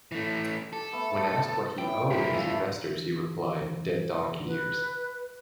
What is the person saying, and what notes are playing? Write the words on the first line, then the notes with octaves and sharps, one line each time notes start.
When asked what he owed his investors he replied: "dead donkey ears".
E3 A3
G4 A4
A3 B3
A2 E3 G5
G#3 G4 G#4 A#4
G2 A3 F4 C5
E3
B4